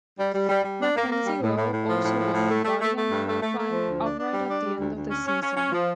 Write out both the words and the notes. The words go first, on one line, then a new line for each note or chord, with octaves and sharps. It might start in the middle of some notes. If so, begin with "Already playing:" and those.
Mackenzie-Low also won the Bodiam Hill Climb outright at the end of the season.
G3
G3
G3
G3
D4
A#3
A#3
G3
A2
A2
A2
F3
A2
F3
A2
A3
A3
A3
A3
G2
A3
A3
A3
F3
D2
D4
D4
G3
D4
G3
D2
D2
C#4
C#4
C#4
C#4
F3